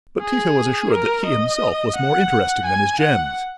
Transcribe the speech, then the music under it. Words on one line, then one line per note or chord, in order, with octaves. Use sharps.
But Tito was assured that he himself was more interesting than his gems.
G#4
A#4
D#5
F#5
G#5
F#5